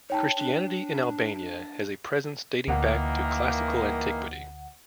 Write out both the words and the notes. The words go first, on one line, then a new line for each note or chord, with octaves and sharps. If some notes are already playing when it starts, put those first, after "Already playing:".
Christianity in Albania has a presence dating back to classical antiquity.
D#4 C#5 G5 A5
D4
D2 D#3 E3 A#3 F#5